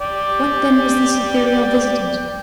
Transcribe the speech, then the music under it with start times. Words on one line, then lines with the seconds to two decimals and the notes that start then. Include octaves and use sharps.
What then was this ethereal visitant?
0.01 D5 G5